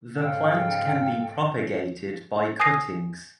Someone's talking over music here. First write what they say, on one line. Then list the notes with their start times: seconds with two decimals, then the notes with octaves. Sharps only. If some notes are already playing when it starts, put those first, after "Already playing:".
The plant can be propagated by cuttings.
0.16 G#2 C#3 A4 F5 G5
2.60 G#5 D#6 G#6 A#6 C7 D#7